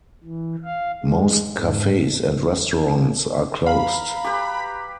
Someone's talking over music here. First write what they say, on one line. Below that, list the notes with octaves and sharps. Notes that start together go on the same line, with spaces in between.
Most cafes and restaurants are closed.
E3
F5
G#3
G#2
F5 A#5 B5
G4 B4